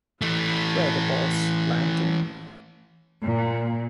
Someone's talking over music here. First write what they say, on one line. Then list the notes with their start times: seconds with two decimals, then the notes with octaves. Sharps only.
Were the boats landing?
0.21 E3 A3
3.23 A#2